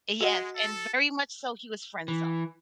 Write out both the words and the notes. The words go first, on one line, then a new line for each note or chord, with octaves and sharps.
Yes, and very much so he was friend zoned,
G#3 F#4 D#5 F#5
A4
E3